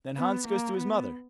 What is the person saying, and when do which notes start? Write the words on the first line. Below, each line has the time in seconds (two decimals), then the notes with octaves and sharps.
Then Hans goes to his mother.
0.16 B3
0.47 A#3
0.77 B3